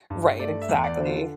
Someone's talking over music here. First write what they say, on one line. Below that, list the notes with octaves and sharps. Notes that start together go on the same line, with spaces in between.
right, exactly.
G2
A3 D5
E5
E2
D5
D3
F4